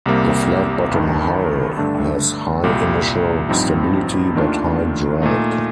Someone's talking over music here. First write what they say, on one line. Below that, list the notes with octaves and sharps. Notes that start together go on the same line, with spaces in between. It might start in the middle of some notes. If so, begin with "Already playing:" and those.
The flat bottom hull has high initial stability but high drag.
C2 C3 G3 A#3
G1 G2 D#3
G2 D3 A3 D4
C2 A#2 G3
A1 G2 F3 C4 D#4
D#2 D#3 A3 D4 F4
A#2 A3 D#4